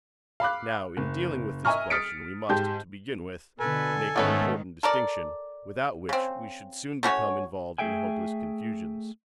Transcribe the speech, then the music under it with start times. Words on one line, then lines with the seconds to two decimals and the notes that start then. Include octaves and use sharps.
Now in dealing with this question we must, to begin with, make an important distinction, without which we should soon become involved in hopeless confusions.
0.40 F5 B5 D6 F#6
0.97 F#1
1.65 D#5 E5 G#5 A#5 C#6 F6
1.90 D#6 F6 A6 B6 C#7 D7
2.49 G#2 G4 A5 C6 G6
3.59 B2 D3 A4 B4 G#5
4.16 G#2 D#3 A3 B3 C#4 B4
4.83 A4 A#4 D5
6.09 C#3 C4
7.03 A3 C#4 F#4 C#5
7.78 A3 G#4 E5 G5 G#5